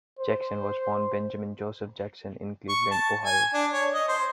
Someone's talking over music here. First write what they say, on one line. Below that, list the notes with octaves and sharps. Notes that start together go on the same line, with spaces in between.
Jackson was born Benjamin Joseph Jackson in Cleveland, Ohio.
C5
C#6
A5
G#5
D4
C#5
D#5
C5